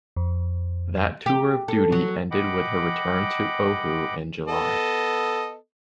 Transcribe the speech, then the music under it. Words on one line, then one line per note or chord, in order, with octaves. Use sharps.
That tour of duty ended with her return to Oahu in July.
F2
G4
A4
F#3
D#5 F#5 G5 B5 D6
B3 A4 D#5